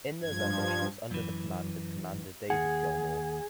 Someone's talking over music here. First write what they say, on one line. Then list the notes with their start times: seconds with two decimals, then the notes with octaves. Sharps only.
In November she was under the command of Commander David Gilmour.
0.22 G2 F3 G#6
1.11 F#2 E3
2.50 D#2 G#4 F#5